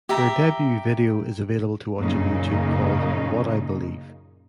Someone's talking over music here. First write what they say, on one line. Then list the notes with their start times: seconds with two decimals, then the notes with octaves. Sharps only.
Their debut video is available to watch on YouTube called "What I believe".
0.09 G4 E5 A#5
1.97 F#2 A#2 C#3 D#4